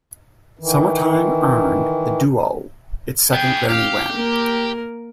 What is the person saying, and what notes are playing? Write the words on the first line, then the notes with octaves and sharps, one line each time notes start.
Summertime earned the duo its second Grammy win.
D#3 E3
B3 G#4 G5
G4 F5
A#3 A#4